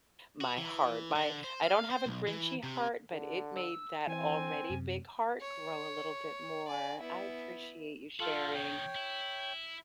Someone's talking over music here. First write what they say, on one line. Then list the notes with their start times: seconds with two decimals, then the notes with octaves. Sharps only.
my heart. My I don't have a grinchy heart, but it made that already big heart grow a little bit more. I appreciate you sharing,
0.41 F#4
0.57 E3
1.16 D3
1.44 C5
1.64 F5
1.90 C5
2.06 B1
2.27 E3
2.63 C3
3.12 D3
3.56 E6
4.07 E3 C4 G#5
4.70 F#2 C3
5.40 C#5
6.67 D5 G#5
7.00 B3 E4
8.20 G3 F4 F#4 A4
8.54 B2 D#3 C#5 G5
8.96 E4